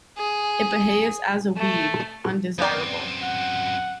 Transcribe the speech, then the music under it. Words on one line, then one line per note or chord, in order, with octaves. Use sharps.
It behaves as a weed, undesirable.
G#4
A3
F#2 B3 C4 D5
F#5